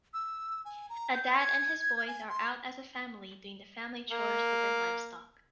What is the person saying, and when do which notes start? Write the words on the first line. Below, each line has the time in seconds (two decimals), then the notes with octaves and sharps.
A Dad and his boys are out as a family doing the family chores with their livestock.
0.14 E6
0.65 G#5
0.90 A#5
1.14 G6
1.39 G#6
2.08 G#5
2.29 C6
4.11 A#3